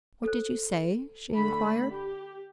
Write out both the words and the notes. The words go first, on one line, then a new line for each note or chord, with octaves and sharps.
"What did you say?" she inquired.
A4 C5
D3 A3 B5
G4